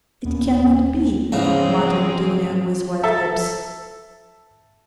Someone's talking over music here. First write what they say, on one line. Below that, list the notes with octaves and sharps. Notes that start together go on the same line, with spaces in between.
"It cannot be," muttered Dounia, with white lips.
D#2 A#2 A#3 B3 C#4
E2 G#2 C#3 F3 G#3 C4
A4 E5 A5